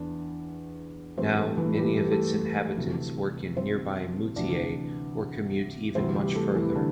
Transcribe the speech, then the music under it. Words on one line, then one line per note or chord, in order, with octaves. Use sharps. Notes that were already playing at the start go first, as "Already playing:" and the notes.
Now, many of its inhabitants work in nearby Moutier or commute even much further.
Already playing: E2 E3 D4
G2 E3 C4 C5
A3 A4
E3 E4
G3 G4
A4
G4
A3 A4
D2 C3 E3
C4 C5
D2 C3 E3 D4 D5
D2 C3 E3 C4 C5
G3 G4
A3 A4
E3 E4
D3 D4